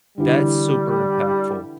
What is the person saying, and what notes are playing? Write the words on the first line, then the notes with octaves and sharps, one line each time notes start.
that's super impactful.
D3 E3 G3